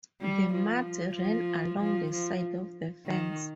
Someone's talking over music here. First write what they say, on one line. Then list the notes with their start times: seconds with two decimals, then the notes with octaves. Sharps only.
The mutt ran along the inside of the fence.
0.21 G3
0.53 F3
1.15 F3
1.80 F3
2.11 F3
3.06 D#3